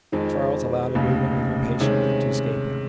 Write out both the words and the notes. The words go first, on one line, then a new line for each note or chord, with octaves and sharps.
Charles allowed a movement of impatience to escape him.
F2 D#3 G#3 C4
F1 D#2 C#3
C3 D#3 G#3 C#4